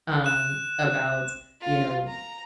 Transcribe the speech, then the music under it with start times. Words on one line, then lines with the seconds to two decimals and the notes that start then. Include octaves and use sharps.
Um, about, you know,
0.24 F#6 E7
1.61 F4
2.07 A#5